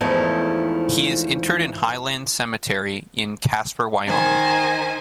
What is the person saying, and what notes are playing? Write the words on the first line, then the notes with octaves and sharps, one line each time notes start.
He is interred in Highland Cemetery in Casper, Wyoming.
E2 G#2 F3 A3 C#4 E4
D#3 C5 G#5